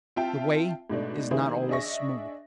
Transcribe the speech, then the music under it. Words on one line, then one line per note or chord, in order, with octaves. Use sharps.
The way is not always smooth.
C4 F4 E5 G5 A5
G#2 B2 A3 D4
D#3 G3 A#3 E4 G#4 C5
D4 G#4 D#5 E5 C#6 A#6